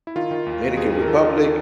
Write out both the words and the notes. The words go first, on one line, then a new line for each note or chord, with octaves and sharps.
Dominican Republic,
E4
D#3 F4
D#3
D#2
D#2
D#2 G#4
D#2
A#4
D#3 A4
D#3